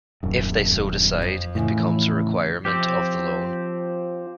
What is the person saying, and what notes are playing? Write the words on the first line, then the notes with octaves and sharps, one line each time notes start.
If they so decide, it becomes a requirement of the loan.
D#1 F#2
F2
A2 C#3 E3
F3 C4 G4